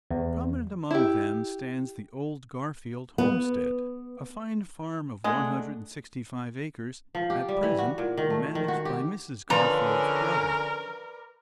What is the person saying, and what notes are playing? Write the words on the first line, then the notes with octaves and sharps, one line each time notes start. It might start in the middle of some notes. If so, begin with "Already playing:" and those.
Prominent among them stands the old Garfield homestead - a fine farm of one hundred and sixty-five acres, at present managed by Mrs. Garfield's brother.
E2
E4 G4
B3
G#3 A3 D4 F#5
F3
G4
G3
E3
F#4
A#2
D#3
A3
D#3
F#4
G4
D3 F3 C#4 A#4 B4 D5 A#5